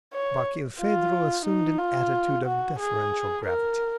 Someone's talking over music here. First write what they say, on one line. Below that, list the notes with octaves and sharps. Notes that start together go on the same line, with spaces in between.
Barkilphedro assumed an attitude of deferential gravity.
C#5
F4
D#4
F4
F#4
G#4
A#4